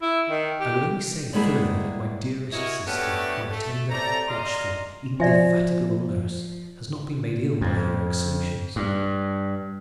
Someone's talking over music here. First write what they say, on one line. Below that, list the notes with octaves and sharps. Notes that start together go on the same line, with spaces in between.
'I will only say further that my dearest sister, my tender, watchful, indefatigable nurse, has not been made ill by her exertions.
E4
D#3
G4
G3 G#3 A#3 B3 E4 G#4
C#4 E4 F#4 A#4 C#5 D#5
A3 B3 C#4 D4 F#4 G4
A3
A2 C3 A3 D5 A#5
D5 D#5 F5 A#5 C6
F3 D5 E5 G#5
F2
G2